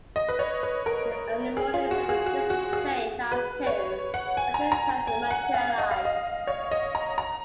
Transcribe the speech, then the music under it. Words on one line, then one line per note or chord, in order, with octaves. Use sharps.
In the early morning, circumstances changed as two latent threats materialized.
D#5
B4
C#5
B4
A#4
G#4
F4
F#4
G#4
F#4
F#4
G#4
B4
C#5
F#5
G#5
A#5
A#5
A#5
G#5
F#5
F5
D#5
F5
D#5
C#5
D#5
A#5
A#5